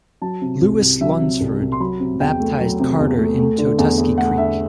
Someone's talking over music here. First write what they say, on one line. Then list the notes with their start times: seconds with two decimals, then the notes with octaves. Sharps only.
Lewis Lunsford baptised Carter in Totuskey Creek.
0.22 F#3 A5
0.42 C3
0.61 C2
0.81 C2
1.01 F#3 E5
1.20 C3
1.41 C2
1.61 C2
1.72 C6
1.80 F#3 B5
2.00 C3
2.20 E2 G5
2.40 A3
2.60 F#3
2.80 C3
2.99 E2
3.19 A3
3.39 A3
3.58 D3
3.79 E2
3.98 E2
4.18 A3 F#5
4.38 D3 E5